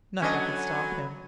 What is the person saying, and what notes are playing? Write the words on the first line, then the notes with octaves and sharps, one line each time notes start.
Nothing could stop him.
F#3 A3 B3 C#4 D4 D#5 G#5